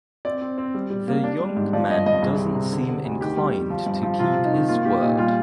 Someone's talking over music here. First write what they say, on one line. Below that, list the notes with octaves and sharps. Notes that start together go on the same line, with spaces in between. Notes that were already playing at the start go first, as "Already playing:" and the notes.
The young man doesn't seem inclined to keep his word.
C4 D5
C4
C4
G3
G3
A#3
D4
G3
G#2
F3 D5
G2 D#5
G2 D#5
C2 G#4
C4
C3
D3
D3
D2
D#3 G4
G3
G3
F3
G2
F3
C3 F4
C3
D#4
D#3
A#3 F4
A#3 G4
A#2 D#4
G3 F4